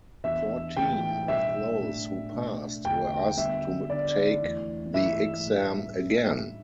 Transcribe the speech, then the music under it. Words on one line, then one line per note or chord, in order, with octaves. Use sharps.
Fourteen of those who passed were asked to take the exam again.
E2 E3 B3 D4 E5
A2 E3 A3 E4 G5
B2 G3 D4 E5
A2 A3 D4
B2 A3 D4
E2 D3 A3 G5
D3 G3 B3 D4 E5
D3 B3 D4 D5
E2 E3 A3 E4
G2 E3 A3 E4 E5
A2 G3 D4